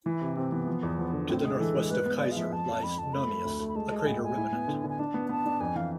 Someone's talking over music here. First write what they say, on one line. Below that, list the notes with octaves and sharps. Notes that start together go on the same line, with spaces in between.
To the northwest of Kaiser lies Nonius, a crater remnant.
E3 E4
C3
C3 C4
E3 B3
F3
E2
F3
D3
A2 C4
G#3 G#4
E3 A4
G#3
G#2 B4
B3
C5
G#3 D5
F5
F3 E5
F2 A5
F2
F2 B5
F2 A5
A3 B5
A3
D2
A3
B5
G#3 A5
G#3
A5
A2 G#5
A2 G#5
E4
B3
D3
D3
G#5
D4 A5
B3
B3 A5
D4
F2 G#5
E3 F5